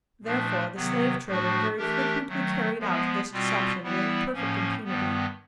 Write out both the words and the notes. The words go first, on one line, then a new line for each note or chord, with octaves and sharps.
Therefore the slave-trader very frequently carried out this deception with perfect impunity.
A#2 F3 A3 D4
C3 D#3 F#3 B3
A2 F3 A3 D4 F#4
E3 A3 D4 G4 A#4
D#3 F#3 A3
F3 G#3 B3
B2 G3 C4 F4
E3 G3 B3 E4
A2 F3 A#3 C#4
G2 D#3 G3 B3